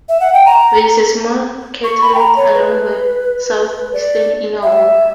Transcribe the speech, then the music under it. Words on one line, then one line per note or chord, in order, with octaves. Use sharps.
There is a small craterlet along the southeastern inner wall.
E5
F#5
G5
A#5
C#6
B5
G5
A#5
C#5
B4
D5
E5